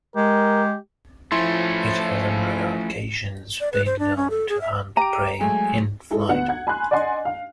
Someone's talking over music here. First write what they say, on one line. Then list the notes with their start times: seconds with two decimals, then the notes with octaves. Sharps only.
It has on rare occasions been known to hunt prey in flight.
0.16 G#3 G4 A#4
1.32 F3 A3 C#4 E4 C6
3.60 D5
3.73 B4
3.86 C5
3.99 D4
4.17 C#4
4.30 A4
4.49 G#4
4.61 E5
4.97 G4 A#5 D7 D#7
5.40 F#3 G#3 A3 G#5
6.10 G#3 D#4 E4 G#4 A4
6.28 D2 B3 B4 F#5
6.48 F#5 G#6
6.67 G#5 B5 C6 F#6
6.91 D5 D#5 F#5 G#5 C6
7.25 F5